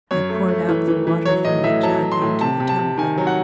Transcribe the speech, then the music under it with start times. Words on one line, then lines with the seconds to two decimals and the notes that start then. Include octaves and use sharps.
I poured out the water from the jug into the tumbler.
0.11 F#2 C#5
0.30 A3
0.48 A3
0.69 E3
0.88 E3
1.07 E3
1.26 F#3 C#5
1.44 A2 D#5
1.64 A2 E5
1.83 F#3 A5
2.02 F#3
2.12 C6
2.22 A2
2.41 C3 A5
2.60 C3
2.69 A5
2.79 C3
2.98 D#3 G#5
3.18 F#3
3.27 F#5